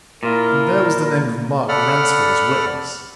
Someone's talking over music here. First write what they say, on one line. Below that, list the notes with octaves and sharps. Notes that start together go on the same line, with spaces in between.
And there was the name of Mark Ransford as witness.
A#2 E4 F4 A#4
A4 D5 F#5 B5 F6